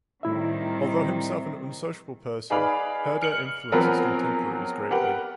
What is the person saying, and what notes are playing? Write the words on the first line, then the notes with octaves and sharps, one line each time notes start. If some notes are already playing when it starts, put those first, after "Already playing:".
Although himself an unsociable person, Herder influenced his contemporaries greatly.
A2 D#3 G3 C4 E4 E5
D#4 G#4 B4 D5 F5 B5
F6 C#7 F#7
F3 F#3 B3 C4 G#4 A#4
G4 A#4 B4 F#5